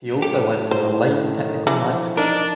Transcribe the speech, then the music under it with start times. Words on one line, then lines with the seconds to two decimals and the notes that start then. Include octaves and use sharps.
He also went to the Lane Technical night school.
0.22 A2 G4 A4
0.71 C5
1.24 D#3
1.67 D3 E3 F3
2.17 D4 D#4 A#4